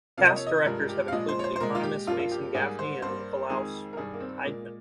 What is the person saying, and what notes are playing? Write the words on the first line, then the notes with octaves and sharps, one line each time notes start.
Past directors have included economists Mason Gaffney and Nicolaus Tideman.
C3 F3 A#3 F5
D#5
C#5
D#5
G2 F3 G#3 A#4
G4
F5
A#2 F3 G#3 D#5
C5
C#5
C5
C5
A#2 G#3 A#4
F4
G4
G2 F3 A#3 F4
F4
G4
G#2 G3 A#3 G#4
C5
G2 G3 A#3 C5
F2 D#3 G#3 G#4
A#4
G2 D#3 G3 G#4
A#3
C4
A#2 G#3 A#3